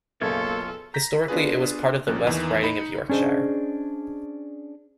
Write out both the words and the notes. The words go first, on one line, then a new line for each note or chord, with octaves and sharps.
Historically it was part of the West Riding of Yorkshire.
B1 F#2 C#3 A#3 F4 A4 C#5
A#5 G6 A#6 B6
B3 D4 F4 G#4 B4
G#1 F3 A#3 C#4 F#6
E2 D#3 E3
D#4 B5 C#7
C#4 D4 G#4 C5 D#5